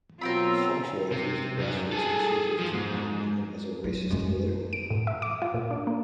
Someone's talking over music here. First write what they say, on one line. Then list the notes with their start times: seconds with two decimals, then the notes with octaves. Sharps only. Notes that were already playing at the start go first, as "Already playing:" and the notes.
Fauntroy views the grassroots conservative Tea Party movement as a racist political group.
0.21 B2 F#3 C4 F4 A#4 G5 B5 E6
1.12 C3
1.59 F#2 F#3
1.92 G#4 A4
2.60 F3
2.73 G#2
3.84 F#3 F4
4.10 F#2 G#3
4.24 D#3
4.73 D7
4.90 A2
5.07 E5
5.22 D6
5.42 F4
5.54 A#2
5.71 D4
5.87 A#3